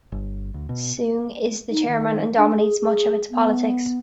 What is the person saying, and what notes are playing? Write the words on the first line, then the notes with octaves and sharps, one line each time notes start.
Soong is the chairman and dominates much of its politics.
G1
D2
B2
D#4
D#3
D4
G#4
G#4
B3